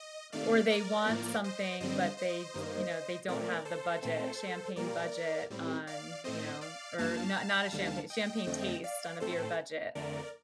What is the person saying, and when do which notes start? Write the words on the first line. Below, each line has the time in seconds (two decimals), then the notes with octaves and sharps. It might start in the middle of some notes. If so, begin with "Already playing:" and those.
or they want something, but they d you know, they don't have the budget. Champagne budget on, you know, or not not a champa champagne taste on a beer budget.
Already playing: D#5
0.32 C3 D#3 A3 D5 F5
0.69 A#4 D5
1.06 A2 F3 A#3
1.44 C5 D#5
1.80 G2 D3 G3 C4 C5 D#5
2.17 C5 D#5
2.54 G2 D#3 A#3
3.28 A#2 A3 C4 A#4 D5
3.65 A4 C5
4.02 A#2 A3 C4 A4 C5
4.76 A#2 G3 A#3 A#4 D5
5.50 A2 G3 C4
5.87 D5 F5
6.24 A2 A3 C4 C5 D#5
6.61 D5 F5
6.98 G2 F3 A#3 F5 A5
7.72 D#2 D3 G3
8.10 D#5 G5
8.47 F2 D3 A3 C4
8.84 D5 F5
9.20 A2 A3 C4 A4 C5
9.95 F2 D3 A3 A#4 D5